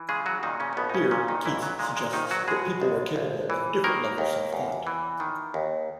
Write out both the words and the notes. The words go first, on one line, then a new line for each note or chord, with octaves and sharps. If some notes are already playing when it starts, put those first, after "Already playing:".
Here Keats suggests that people were capable of different levels of thought.
Already playing: E3
C#3 G#3 G#4
F#3 F#4
A#2 D#3 D#4
C#3 C#4
C#4
A#1 B2 B3
D#4
C#3 C#4
A#2 C#3 C#4
D#3 D#4
B1 E3 E4
F#3
A#2 G#3
G#3
A#1 D#3 D#4
F#3 F#4
B2 G#3 G#4
B1
A#1
E3
D#3 A#3 A#4
D#2
E2
E3
D#3
D#2